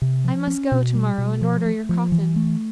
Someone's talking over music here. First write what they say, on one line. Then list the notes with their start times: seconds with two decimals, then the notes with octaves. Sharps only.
I must go to-morrow and order your coffin.'
0.02 C3
0.24 F3
0.47 C#4
0.72 B2
0.94 G3
1.18 B2
1.41 F3
1.66 A3
1.89 F3
2.12 E3
2.36 A3